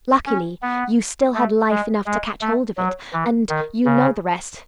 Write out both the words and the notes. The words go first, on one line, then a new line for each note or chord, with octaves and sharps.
Luckily you still had life enough to catch hold of it, and you know the rest.
C#4
B3
A3
G#3
G#3
A3
F#3
E3
D#3
C#3